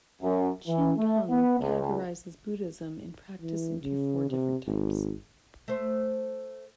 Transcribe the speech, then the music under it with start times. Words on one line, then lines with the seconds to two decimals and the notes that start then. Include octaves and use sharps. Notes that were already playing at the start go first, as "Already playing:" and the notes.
Chin Kung categorizes Buddhism in practice into four different types.
0.22 F#2
0.67 E3
0.97 A3
1.29 B3
1.60 C#2
3.42 E3
3.83 C#3
4.30 C3
4.67 G#1
5.68 A3 C5